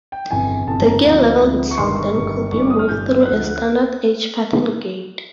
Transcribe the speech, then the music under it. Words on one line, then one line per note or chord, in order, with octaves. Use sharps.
The gear lever itself then could be moved through a standard 'H pattern' gate.
G5
G1 F2 C#3 E3 G#5
G1 F2 C#3 E3 A5
A#5
D2 C3 F3
D2 C3 F3
C#6
G1 G2 D#3 G3 C6
C#6
G1 G2 D#3 G3 C#6
G1 G2 E3 G3 C#6
D6
D#6
F6
G1 G2 E3 G3 G6
D2 D3 F3 F#6
F#6